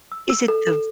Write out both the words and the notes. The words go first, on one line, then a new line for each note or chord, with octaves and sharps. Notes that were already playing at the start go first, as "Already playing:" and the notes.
is it the v
E6
E6
A4
A4